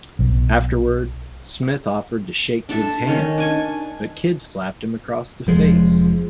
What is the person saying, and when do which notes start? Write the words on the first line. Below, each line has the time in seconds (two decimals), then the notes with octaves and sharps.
Afterward, Smith offered to shake Kidd's hand, but Kidd slapped him across the face.
0.19 B1
2.69 D4 A4 E5
3.07 D#3 C#4
3.38 D4 G#5 C#6
5.47 F1 F3 G#3